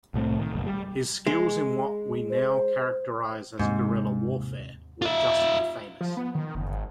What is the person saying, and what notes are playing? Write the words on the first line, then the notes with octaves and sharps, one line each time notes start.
His skills in what we now characterize as guerrilla warfare were justly famous.
C2 A2 A3 C4
D#3
F#1 B1
G3
G#3
C5
D#2 G#2 C3
F4 E5
F3
B3
D#3
F#1
G#1